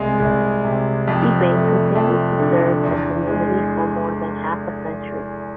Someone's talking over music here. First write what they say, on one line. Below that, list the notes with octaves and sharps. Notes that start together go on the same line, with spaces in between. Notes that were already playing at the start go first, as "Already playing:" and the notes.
The bank continued to serve the community for more than half a century.
Already playing: C2 G#3
C2
C3
F2
A3
F2
D3
E2
G#3